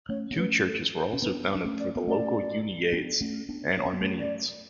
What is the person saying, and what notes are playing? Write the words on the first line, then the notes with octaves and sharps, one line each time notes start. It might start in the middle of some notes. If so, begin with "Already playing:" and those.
Two churches were also founded for the local Uniates and Armenians.
A3 C#4 C#5
B3
A3 C#4 B4
A4
A4
C#4
B3 D4 B4
D4
A3 C#4
D5
B3
A3 C#4 D5
B3 D4
A3 C#4
B3 D4
D4 C#5
C#4
B3
A3 C#4
D5